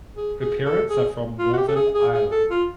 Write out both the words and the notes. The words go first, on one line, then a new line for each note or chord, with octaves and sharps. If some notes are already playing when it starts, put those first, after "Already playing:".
Her parents are from Northern Ireland.
G#4
G#4
A4
G#4
F4
F#4
G4
A4
G#4
G#4
G#4
A4
F4